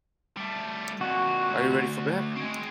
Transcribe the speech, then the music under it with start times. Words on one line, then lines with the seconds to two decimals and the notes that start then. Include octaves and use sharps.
Are you ready for bed?
0.37 G3 A3
1.01 F2 A#2 F#4
1.50 D2
2.35 G#3 C4